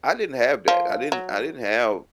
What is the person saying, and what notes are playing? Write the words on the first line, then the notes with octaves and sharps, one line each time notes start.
I didn't have that I didn't I didn't have
F3
F#3